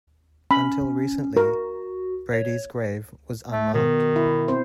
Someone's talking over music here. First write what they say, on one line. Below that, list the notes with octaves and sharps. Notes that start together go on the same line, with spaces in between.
Until recently, Brady's grave was unmarked.
C#4 B5
F#4 A#4
C#5
A3
B2 D#3
E4
C4 C5